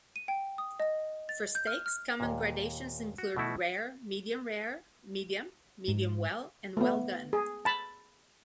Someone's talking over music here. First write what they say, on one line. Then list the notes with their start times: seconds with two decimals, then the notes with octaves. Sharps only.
For steaks, common gradations include "rare", "medium rare", "medium", "medium well" and "well done".
0.16 D#7
0.28 G5
0.58 D#6
0.80 D#5
1.29 A6
1.55 G6
1.67 F6
1.86 F6
2.20 D#2 A#2
3.18 F#4
3.37 B2 A3 E4 F#4
5.88 G#2
6.77 A3 B3
7.33 G#4
7.65 A5 B5